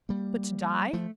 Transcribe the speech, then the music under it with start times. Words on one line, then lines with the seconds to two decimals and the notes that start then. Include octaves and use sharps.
But to die?
0.09 G3 A#3
0.93 F3 A3